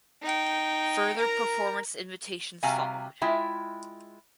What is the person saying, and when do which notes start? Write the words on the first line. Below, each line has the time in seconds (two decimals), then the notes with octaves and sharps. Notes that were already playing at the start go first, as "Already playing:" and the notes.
Further performance invitations followed.
0.23 D#4 G5
1.17 A#4 A#5
2.63 C3 G3 F#4 F5 G#5 A#5
3.21 G#3 E4 F4 E5 G5